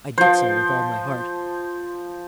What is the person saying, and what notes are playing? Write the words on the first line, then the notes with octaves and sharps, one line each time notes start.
I did so with all my heart.
F3 C5